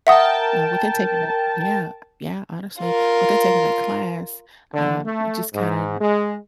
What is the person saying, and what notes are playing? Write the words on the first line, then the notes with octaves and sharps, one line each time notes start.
uh, within taking that yeah, yeah, honestly. Within taking that class, uh, just kinda
A#4 E5 F#5 G5 A5 D#6
F4 A#4
D3
A3
G#2
G#3